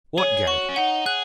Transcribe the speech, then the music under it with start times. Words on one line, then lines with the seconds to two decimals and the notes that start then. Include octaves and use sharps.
What Garry?
0.18 G#4 C#5
0.47 F#4 C#6
0.69 C#4
0.76 D#4 F#5
1.06 G#4 F#6